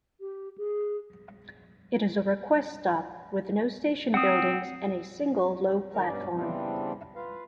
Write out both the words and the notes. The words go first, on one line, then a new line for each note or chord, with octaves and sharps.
It is a request stop with no station buildings and a single low platform.
G4
G#4
C4 F#5 D#6
D#2 A2 D#3 G3 A#4 A#5
G2 B2 C#4 D5
C#3 E3 G3 B3 C4 D4
F4 B4 F5